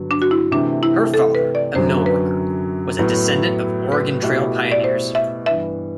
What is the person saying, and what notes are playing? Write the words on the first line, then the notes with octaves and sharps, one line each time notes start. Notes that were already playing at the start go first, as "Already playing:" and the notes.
Her father, a millworker, was a descendant of Oregon Trail pioneers.
Already playing: G2 D3 F#3 B3
D4
F#4
E4
C3 E3 A3 D4
E4
A4
B4
D5
F#2 D3 F#3 C5
B4
A2 F#3 B3 E4
B4
B2 A3 E4 G4
D5
C5
E5
G2 E3 B3 E5